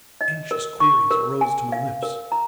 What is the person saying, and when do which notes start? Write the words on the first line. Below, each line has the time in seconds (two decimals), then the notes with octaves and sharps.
Anxious queries arose to my lips.
0.21 D#5
0.51 A#4
0.80 C#6
1.11 A#4
1.41 G#5
1.72 F5
2.03 A#4
2.32 A#5